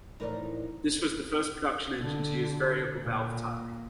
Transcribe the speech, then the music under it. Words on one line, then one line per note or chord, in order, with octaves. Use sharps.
This was the first production engine to use variable valve timing.
A2 E3 F3 D#4 A#4 D5
D3
A#2